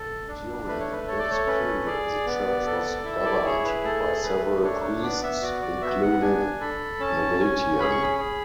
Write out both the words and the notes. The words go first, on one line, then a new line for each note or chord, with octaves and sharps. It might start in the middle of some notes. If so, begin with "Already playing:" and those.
During this period the church was governed by several priests, including Novatian.
Already playing: A4
D4
A3 B4
C#5
B4
A4 C#5
D5
C#5
C#4 B4
G#4 D5
B3
A4
E4 E5
D5
G#4 C#5
B4
A3 A4
A3 B4
D4 C#5
C#5
B3 D5
E5
F#4 D5
D5
B3 E5
F#5
D4 G#5
A4 B5
C#4 A5
C#4 G#5
G#4 B5
C#6
B5
G#4